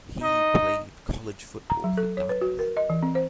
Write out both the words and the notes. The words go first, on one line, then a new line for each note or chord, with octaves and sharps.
He played college football for Dartmouth.
D#4 D#5
A#5
F#3
A4
C#5
B4
F#4
A#4
D#5
E3
C4
C5